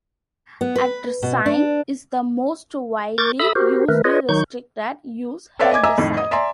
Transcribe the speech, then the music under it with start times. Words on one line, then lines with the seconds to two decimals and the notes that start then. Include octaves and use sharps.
Atrazine is the most widely used restricted-use herbicide.
0.61 B3
0.76 B4
1.23 B2
1.46 D4
3.18 A#4 C#6 D6 G6 A6
3.40 A4 E5 B5 D#6 E6
3.55 F#4 G4 A#4 C5
3.88 D#3 A3 A#4 B4
4.04 F4 G#4 B4 C#5 D#5
4.29 D#3 F#3 D#4 C#6 G6
5.59 A4 B4 C#5 D5 E5 F5
5.71 D#5 G#5 D6 G#6
5.83 D#5 E5 G#5 A#5 D6 E6
5.98 F2 A2 D#3
6.17 D#5 D#6
6.31 D5 E5 G#5 A#5 C6